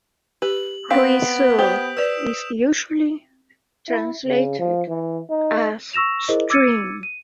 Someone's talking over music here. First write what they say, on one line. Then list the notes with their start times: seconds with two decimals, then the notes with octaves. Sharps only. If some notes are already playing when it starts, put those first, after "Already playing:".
"Ruisseau" is usually translated as stream.
0.42 G4 B4 F#7
0.90 B3 C4 F5 B6 D7
1.59 G4 C5 D#6 G6
1.97 B4 D5 E6 E7 F7
3.89 E4
4.27 C#3
4.59 F3
4.88 E3
5.29 D#4
5.93 C#6 E6 A#6 E7 F7
6.28 E4 G#4 A#4 C5 D#5
6.50 D6 E6 G#6 A6 C#7 D#7
7.03 D#7